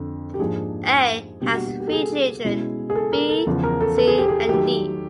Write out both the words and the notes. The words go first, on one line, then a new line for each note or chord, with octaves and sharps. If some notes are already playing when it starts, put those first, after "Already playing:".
"A" has three children, "B", "C", and "D".
Already playing: F2 D3
G4
G#2 F3 A#3 D4 G#4
B2 G3 A#3 D4 G4
F#4
F#4
G4
A4
G#4
B2 G#3 C#4 E4
G#4
A4
A#4
A4
E2 C#3 F3
A#4
A4
A4
G#4
G4
G#4
D#3 F#3 A3 G4